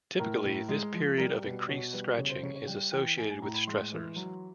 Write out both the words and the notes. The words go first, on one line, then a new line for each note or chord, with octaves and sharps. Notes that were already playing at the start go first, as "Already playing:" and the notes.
Typically this period of increased scratching is associated with stressors.
A2 A#4
A2
G#3
F3
G3 A#4
B2 B4
B2 C#5
G3 B4
C#3 C#5
C5
C#3 C#5
C#5
G3 G5
E3 G5
A2 G#5
G#5
A2 A#5
B5
G#3 C6
E3
F#3